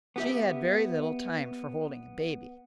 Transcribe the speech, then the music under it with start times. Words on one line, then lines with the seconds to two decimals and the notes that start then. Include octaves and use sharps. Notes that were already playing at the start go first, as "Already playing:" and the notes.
She had very little time for holding a baby.
0.16 B3 G4 E5